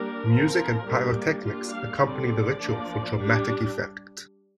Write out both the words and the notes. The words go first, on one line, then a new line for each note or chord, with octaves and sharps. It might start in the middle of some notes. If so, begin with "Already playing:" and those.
Music and pyrotechnics accompany the ritual for dramatic effect.
Already playing: G3 A#3 D4 A#4
F3 C4
G3 A#3 D4
G3 A#3 D4 F4
F5
D3 G3 C4 D5
F3 A#3 D4
G3 D4